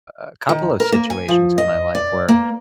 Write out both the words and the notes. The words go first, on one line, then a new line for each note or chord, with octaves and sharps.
a a couple of situations in my life where
D#3
A#4
A#3
G#5
F3
D#5
D5
A#3